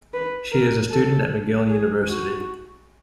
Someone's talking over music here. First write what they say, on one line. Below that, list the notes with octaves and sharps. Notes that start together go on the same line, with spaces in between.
She is a student at McGill University.
B4
A#4
A4
G#4
F#4